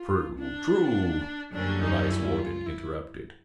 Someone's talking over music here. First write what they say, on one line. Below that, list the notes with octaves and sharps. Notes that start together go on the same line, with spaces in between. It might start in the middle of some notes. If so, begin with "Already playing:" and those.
"True, true!" the Vice-Warden interrupted.
Already playing: F4
D4
F#2 D3 G3 A#3 C#4 D4
D#4
E4
F4
E4